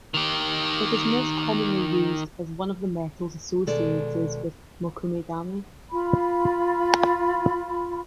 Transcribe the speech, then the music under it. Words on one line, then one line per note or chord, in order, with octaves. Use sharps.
It is most commonly used as one of the metals associated with mokume-gane.
D#3 G4
B2 D#3 G#3 A4 D5
F4 B5